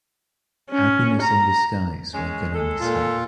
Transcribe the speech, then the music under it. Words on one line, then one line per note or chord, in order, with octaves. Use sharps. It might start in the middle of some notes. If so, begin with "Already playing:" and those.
Happiness in disguise, one can only say.
C#4
A#5
G#3 C#4
G#3 A4
A#2 F4